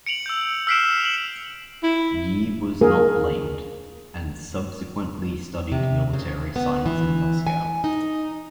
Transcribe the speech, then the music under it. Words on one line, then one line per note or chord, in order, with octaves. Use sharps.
Ye was not blamed, and subsequently studied military science in Moscow.
C#7 D7 F7 F#7
E6 G6
E6 F6 B6 C7 D7 E7
F7 F#7
E4
A#3 G#4 A#4
C3
C#3
B3
E3
G#5
D#4